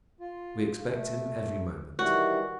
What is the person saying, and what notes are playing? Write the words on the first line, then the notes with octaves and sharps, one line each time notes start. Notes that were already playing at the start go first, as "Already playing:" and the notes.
"We expect him every moment."
F4
A3
D#3 E3 G3 F#4